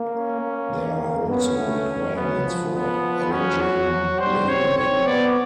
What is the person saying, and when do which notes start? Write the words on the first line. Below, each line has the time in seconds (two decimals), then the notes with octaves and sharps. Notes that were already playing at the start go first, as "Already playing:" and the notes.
There are also requirements for allergen labeling.
Already playing: A#3
0.12 C#4
0.41 A#3
1.29 B3 C#4
1.58 A3
2.16 F#3 B3
2.44 F3
2.74 B3
3.32 F#3 C#4
3.61 F#4
3.91 F#3
4.19 G3 C5
4.48 C4 C#5
4.78 C#5
5.06 B3 D5